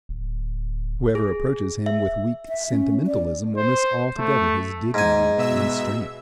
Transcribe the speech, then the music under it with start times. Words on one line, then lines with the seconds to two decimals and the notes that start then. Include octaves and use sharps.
Whoever approaches him with weak sentimentalism will miss altogether his dignity and strength.
0.09 D1
1.15 G#4
1.86 E5
2.48 E5
2.71 C#4
3.07 D5
3.57 C5
4.18 A3
4.94 G#2 G#5
5.37 B2 E5 E6